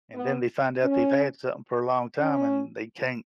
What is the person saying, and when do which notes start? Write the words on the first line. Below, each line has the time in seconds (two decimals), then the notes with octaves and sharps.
and then they find out they've had something for a long time and they can't
0.15 B3
0.83 C#4
2.21 C#4